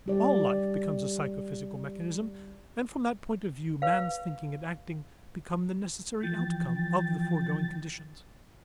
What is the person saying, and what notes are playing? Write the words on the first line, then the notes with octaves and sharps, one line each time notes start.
All life becomes a psychophysical mechanism and from that point of view man's thinking and acting become the necessary outcome of the foregoing conditions.
G3 G4 D5
B4 F5
E3 F3 G5 A6